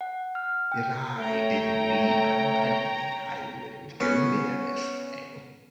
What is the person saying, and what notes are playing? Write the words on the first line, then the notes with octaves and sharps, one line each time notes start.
If I didn't need the money I wouldn't go near this thing.
F#5
F6
G5
A3 C#5 G5 A#5
B3 C#4